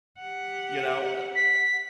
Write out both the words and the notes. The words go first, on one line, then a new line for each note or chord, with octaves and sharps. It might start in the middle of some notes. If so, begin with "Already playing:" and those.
you know, uh
G4 F#5
B6